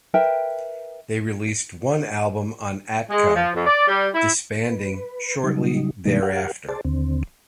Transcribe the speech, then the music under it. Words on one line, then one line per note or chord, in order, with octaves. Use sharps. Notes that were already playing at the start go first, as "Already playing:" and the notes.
They released one album on Atco, disbanding shortly thereafter.
A#4 B4 E5 G5
G#3
F3
F2
D5
G3
E4
B4
C#3 F#3 G3 D#4
B2 D#3 G3 G#3 A#3 D#4
G4 A#4 F5 F#5
G#4 C5 D5 A5
D#2 D3 C4